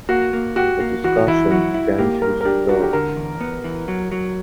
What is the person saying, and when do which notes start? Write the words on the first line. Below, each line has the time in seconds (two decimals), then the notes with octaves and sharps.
The discussion began to stall.
0.09 A#3 F#4
0.33 A#3
0.56 F#4 G4
0.80 A#3
1.04 E3 F#4
1.27 E3 E4
1.51 F#3 F#4
1.74 E4
1.98 A#3 G4
2.22 G2 A#4
2.41 A#4
2.45 D4 G4
2.69 D4 F#4
2.82 G4
2.93 D3 A#4
3.16 E2
3.41 B3
3.64 E3
3.88 F#3
4.12 F#3